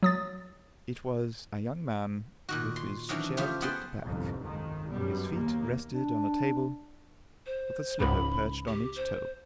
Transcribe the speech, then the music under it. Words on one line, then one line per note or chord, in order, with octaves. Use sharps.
It was a young man with his chair tipped back; his feet rested on a table, with a slipper perched on each toe.
F#3 D#6 A6
A#2 D#3 F#4
C6
D#3 E3 F#3 C#4 D4
C#3 F3 A3 F4 G4
B3 G#4 F#5 G5 A5 C6
G1 C2 F2 G#2
G1 C2 F2 D#3 G#3
F#2 B2 G3 B3
D#2 A#3
D4
C5
C#2 G#2 B5
G4
C5